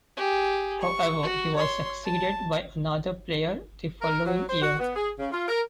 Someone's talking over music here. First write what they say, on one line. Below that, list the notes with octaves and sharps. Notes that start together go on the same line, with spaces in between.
However, he was succeeded by another player the following year.
G4 G#4
C#6
F#4
C#5 C6
A5
A#4
F#3
C5
F#4
B3
G#4
C#3
F4
A#4